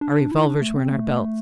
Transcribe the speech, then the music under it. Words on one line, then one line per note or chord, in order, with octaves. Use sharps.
Our revolvers were in our belts.
D4
E4
D4
A3
C4
A3